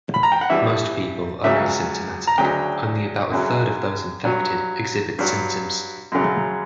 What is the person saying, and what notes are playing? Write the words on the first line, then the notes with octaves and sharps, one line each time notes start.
Most people are asymptomatic; only about a third of those infected exhibit symptoms.
B5
A#5
G5
F#5
G2 E3 G3 E5
C#2 C#3 F#3 E5
A#5
D2 C#3 F#3 G5
F#2 C#3 F#3
G2 F#3
G2 F#3
F#2 C#3 F#3